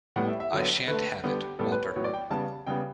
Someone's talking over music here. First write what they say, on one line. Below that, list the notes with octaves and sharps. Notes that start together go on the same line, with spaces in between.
'I shan’t have it', Walter.
A2 G3 B3 F#5
E5
E5
D3 F#3 B3
D3 A3 B4
D3 G3 B3 G4
A2 G3 B3 A4
B4
C#5
A2 F#3 B3 C#5
D5
G5
C#3 G3 B3 A5
C#3 G3 B3 G5